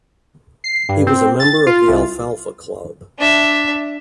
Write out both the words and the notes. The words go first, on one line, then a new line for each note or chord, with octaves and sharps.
He was a member of the Alfalfa Club.
C7
G2
C4
A6
F4
C2
D4 E5